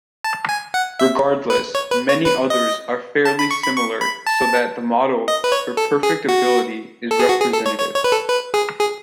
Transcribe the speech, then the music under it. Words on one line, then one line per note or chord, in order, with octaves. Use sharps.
Regardless, many others are fairly similar so that the model for perfect ability is representative.
A5
G#5
F#5
E5
B4
C#5
B4
C#5
B4
D#5
A5
B5
C#6
B5
C#6
B5
A5
D#5
B4
C#5
A4
G#4
F#4
A4
G#4
F#4
G#4
A4
C#5
C#5
C#5
B4
A4
B4
G#4
G#4